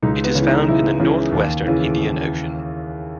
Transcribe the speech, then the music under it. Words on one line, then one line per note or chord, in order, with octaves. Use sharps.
It is found in the north western Indian Ocean.
C#2 D#4
B3
C#3
E3
D#4
C#2 E4
C#3 E3
D#2
C#3 E3